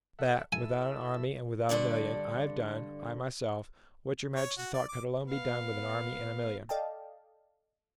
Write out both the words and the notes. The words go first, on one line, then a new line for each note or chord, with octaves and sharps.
"That, without an army and without a million, I have done--I, myself--what your majesty thought could alone be done with an army and a million."
A4 E5 F#5
E4 A4 G#5 E6
G2 D3 A4 D5
C#5
F#4
D5
D6
B3 F5
A4 D5 D#5 F5 G5 A5